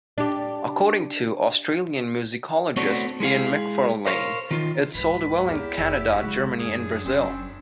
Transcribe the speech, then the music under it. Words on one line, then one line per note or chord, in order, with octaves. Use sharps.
According to Australian musicologist, Ian McFarlane, it sold well in Canada, Germany and Brazil.
D4 G4
A3 B3 C4 D4 F#4 C#5
G#3 E4 G#4 F5
A#4 C5 C#5 F5
D#3 F4
C2 G#2 B4
E2 A#3 E4 G4
F1 E5
C#3 F#3 G#3 F#4
F#2 D4 G#4
F#1 C4 C#4